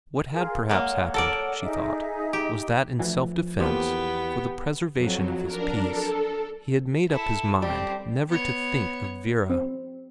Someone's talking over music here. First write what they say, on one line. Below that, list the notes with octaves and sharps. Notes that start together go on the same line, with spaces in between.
What had perhaps happened, she thought, was that in self-defence, for the preservation of his peace, he had made up his mind never to think of Vera.
F4 G#4 A#4
G#3 A#3 C#5 F#5
A4 A#4 D5
D#4 G#4 E5
G4
D2 E3 F3
E2 D3 F3 A#3 B3 G4 G5
F2 F#3
D4 A#4
A4
E4 A4
G3 C4 G4
B3 C#5
C4